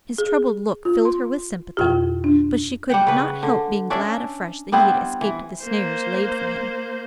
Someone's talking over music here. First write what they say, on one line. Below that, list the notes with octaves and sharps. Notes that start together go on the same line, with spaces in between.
His troubled look filled her with sympathy, but she could not help being glad afresh that he had escaped the snares laid for him.
G#4
F4
C6
F2 B2 F4 G4
D4
G3 F#5 G5
C#3 B4
D3
C#4 D4 D5 E5
G3 B3 C4 E4
E3
A#3 C5